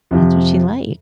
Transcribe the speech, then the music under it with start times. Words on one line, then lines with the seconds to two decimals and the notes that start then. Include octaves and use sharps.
that's what she likes.
0.11 F2 C3 F3